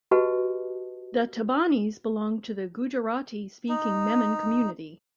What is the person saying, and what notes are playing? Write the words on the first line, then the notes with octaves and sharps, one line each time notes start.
The Tabanis belong to the Gujarati-speaking Memon community.
F#4 G4 B4 D#5 A5
D#4